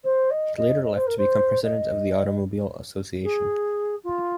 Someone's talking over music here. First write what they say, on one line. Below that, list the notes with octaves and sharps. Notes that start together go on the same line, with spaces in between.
He later left to become president of the Automobile Association.
C5
D#5
D#5
D#5
C5
A#4
C5
D#5
G#4
F4